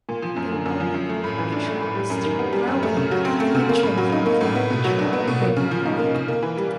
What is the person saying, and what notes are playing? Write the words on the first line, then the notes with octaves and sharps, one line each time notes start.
The Rahway River travels through Rahway, entering from Clark at Rahway River Park.
A#2
F3
F#2
D3
F#2
F3
F#2
A3
A2
E3
D4
A3
A2
G3
F#2
D#3
B3
G3
F#2
A3
C#3
F#3
C4
A3
C#3
A#3
A2
F#3
D#4
A#3
A2
B3
B2
F#3
D4
B3
B2
A#3
C#3
F3
D#4
A#3
C#3
A#3
E3
G3